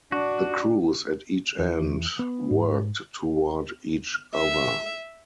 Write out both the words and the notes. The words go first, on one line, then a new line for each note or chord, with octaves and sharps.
The crews at each end worked toward each other.
D4 F#4
E2
B3
G#2
E5